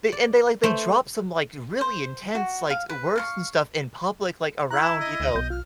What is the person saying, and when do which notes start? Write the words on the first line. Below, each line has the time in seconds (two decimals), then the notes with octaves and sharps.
they and they like they dropped some like really intense, like, s words and stuff in public, like around, you know
0.12 D5
0.63 A3 C5
1.81 C5
2.35 F#4
2.70 F5
2.89 B4
3.16 F5 A5 C#6
4.71 E4 A#5 F#6
4.82 A5
5.00 D#5
5.20 D2
5.35 B1 B2 G6
5.50 F4 F6